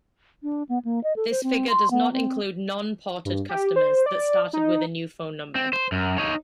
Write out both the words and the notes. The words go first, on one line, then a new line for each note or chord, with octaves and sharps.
This figure does not include "non-ported" customers that started with a new phone number.
D4
B3
A#3
D#5
A4
C5
C4
C6
B3
C4
G2
G4
C5
D5
D#4
C4
C5
F#2
D#4 C#5